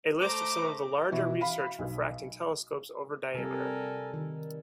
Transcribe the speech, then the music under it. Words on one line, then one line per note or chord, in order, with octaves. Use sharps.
A list of some of the larger research refracting telescopes over diameter.
A3 C5 A#5 D6
B2 E3 E4 F#4
F5 B5
B1
C3 G3 A4 A#4 G#5
D#3